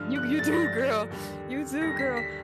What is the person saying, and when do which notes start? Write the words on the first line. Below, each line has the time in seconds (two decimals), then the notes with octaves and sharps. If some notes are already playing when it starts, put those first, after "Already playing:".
You d you do, girl. You do, girl.
Already playing: G2 D3 F3 A3 F6
0.15 F#6
0.39 G2 D3 F3 A3 A6
0.52 A#6
0.65 A6
1.10 D#2 D3 G3
1.81 D#2 D3 G3 A#6
1.99 B6
2.17 B6